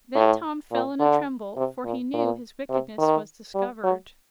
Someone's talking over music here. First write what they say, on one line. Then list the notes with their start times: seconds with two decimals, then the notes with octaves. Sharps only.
Then Tom fell in a tremble, for he knew his wickedness was discovered.
0.15 A2
0.72 A#2
1.00 D3
1.57 C3
1.85 A#2
2.13 A#2
2.70 C3
2.98 D#3
3.55 G3
3.83 F#3